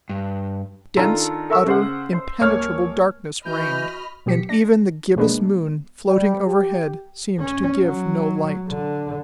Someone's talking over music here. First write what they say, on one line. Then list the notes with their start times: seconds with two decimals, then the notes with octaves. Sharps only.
Dense, utter, impenetrable darkness reigned, and even the gibbous moon, floating overhead, seemed to give no light.
0.09 G2
0.97 D#3 D4 F4 A4 A#5
1.50 A4 A#4 E5 C#6 E6
1.66 C#3 C5 F#5
2.13 C5
2.40 D#1 A#3 C#5 F6
3.45 E3 F#4 D#5 B5 F6 G6
4.26 B2 F#3 G4 B6 C#7
4.49 D4 A#6
5.16 B2 F3 G#3 A#3 B3 D4
6.07 G3
6.47 G4
7.40 C#4
7.84 F#3
8.68 D3